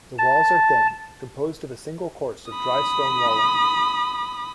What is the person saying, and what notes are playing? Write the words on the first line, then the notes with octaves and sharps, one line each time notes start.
The walls are thin, composed of a single course of dry stone walling.
A5
B5 D#6